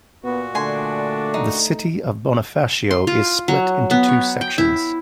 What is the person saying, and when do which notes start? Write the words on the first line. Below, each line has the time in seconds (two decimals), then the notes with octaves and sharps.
The city of Bonifacio is split into two sections.
0.24 A#2 B3 F#4
0.55 D3 A3 D4 D5 G#5 C6
1.34 D#4
2.91 C6
3.07 F4
3.48 F#3
3.91 B3
4.08 C#5
4.41 G5
4.58 E4